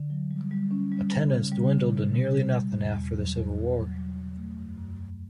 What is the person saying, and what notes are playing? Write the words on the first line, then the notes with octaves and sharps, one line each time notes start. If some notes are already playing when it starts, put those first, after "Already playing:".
Attendance dwindled to nearly nothing after the Civil War.
Already playing: D3
F#3
G3
G3
C#4
G3
C#3
C#3
G3
C#3
B2
B2
G3
G3
E2
E2
F#3
E2
F#3
F#3
F#3
F#3
A3
F#2
F#2
F#2